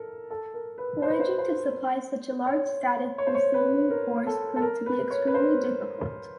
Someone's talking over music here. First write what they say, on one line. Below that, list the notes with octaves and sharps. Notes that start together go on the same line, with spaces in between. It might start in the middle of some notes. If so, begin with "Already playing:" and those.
Foraging to supply such a large static besieging force proved to be extremely difficult.
Already playing: A4 A#4
A4
A#4
B4
C5
B4
C5
C5
C#5
C#5
C5
C#5
B4
A#4
A4
A4
A#4
B4
C#5
B4
C5